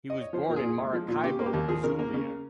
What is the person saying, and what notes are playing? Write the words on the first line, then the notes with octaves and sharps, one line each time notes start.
He was born in Maracaibo, Zulia.
D#5
C#5
F3 C5
A#2 A#4
G#4
A#2
G#3
F3
A#2
C#3 G4
A#3
G4
D#2
F3 G#4
C#3 A#4
A#3 A#4
C#3